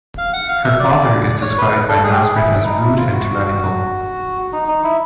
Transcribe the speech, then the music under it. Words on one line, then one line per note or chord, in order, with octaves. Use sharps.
Her father is described by Nasrin as rude and tyrannical.
F5
F#5
F5
E5
D5
C#5
B4
A4
G#4
G4
G#4
E4
D#4
E4
F4
F4
F#4
D#4
D#4
E4